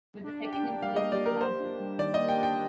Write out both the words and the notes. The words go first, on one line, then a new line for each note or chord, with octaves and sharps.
But the second incident was larger.
D4
G4
G5
A#3
G3 F5
D#5
D4
D5
G4 A#4
A#3 C5
D4
G3
D#3 D5
D#5
A#3
G5
D4
G5